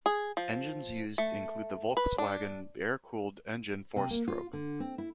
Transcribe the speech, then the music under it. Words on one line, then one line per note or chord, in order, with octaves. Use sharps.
Engines used include the Volkswagen air-cooled engine four-stroke.
G#4
F3
A3
B4
D4
C3
A#3
F4
D3
C4
E4